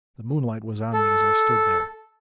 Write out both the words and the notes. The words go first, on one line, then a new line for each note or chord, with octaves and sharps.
The moonlight was on me as I stood there.
A4